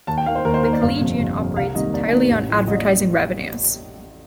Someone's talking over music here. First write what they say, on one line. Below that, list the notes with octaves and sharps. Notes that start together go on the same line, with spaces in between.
The "Collegian" operates entirely on advertising revenues.
D#2 A5
G5
D#3 A#3 F5
C5
D#2 A#4
C5
D#3 A#3 A#4
D5
G1 F5
F2 C3
G1
F2 C3
C2 F5
C3 D#3 G3 A#3 D#5
C2 D5
C3 D#3 G3 A#3
A1
A2 F3
A1 D#5
D5